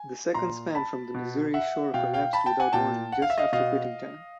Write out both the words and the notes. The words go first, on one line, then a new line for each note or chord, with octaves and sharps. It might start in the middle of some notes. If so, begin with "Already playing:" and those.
The second span from the Missouri shore collapsed without warning just after quitting time.
Already playing: G#5
A#2 A#5 C6
A5 B5
B2
E5 F#5
B2 F5 G5
F5 G5
A5 B5
G5 A5
F#5 G#5
A#2 G5 A5
F#5
F5
E5
D#5 F5
B2 D#5 F5